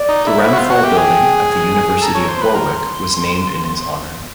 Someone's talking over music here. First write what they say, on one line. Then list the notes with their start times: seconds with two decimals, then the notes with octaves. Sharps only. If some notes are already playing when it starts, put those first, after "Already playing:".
The Ramphal Building at the University of Warwick was named in his honour.
Already playing: D5
0.09 D#4
0.27 E4
0.44 E4 C#5
0.53 F#4
0.57 F4 C5
0.70 F#4 C#5
0.83 G4 E5
0.96 G#4 G5
1.49 G#5
2.01 A4 A#5
2.12 A5
2.15 C#5 A#5
2.28 C5
2.37 B4 C6
2.54 A#4 C6